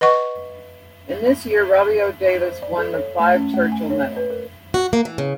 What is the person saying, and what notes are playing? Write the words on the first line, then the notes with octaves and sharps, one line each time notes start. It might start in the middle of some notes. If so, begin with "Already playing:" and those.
In this year Robbie O'Davis won the Clive Churchill Medal.
B4 D#5 F#5 C#6
C5
D5
A4
C#5
A3
C#4
A3
G#5
C#5
B4
A#4
F#4
A#3
E3
C#3